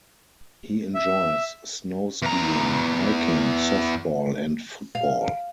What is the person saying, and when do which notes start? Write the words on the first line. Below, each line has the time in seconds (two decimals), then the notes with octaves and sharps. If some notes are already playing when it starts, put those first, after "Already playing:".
He enjoys snow skiing, hiking, softball and football.
0.95 E5
2.22 E2 A#5
4.95 F5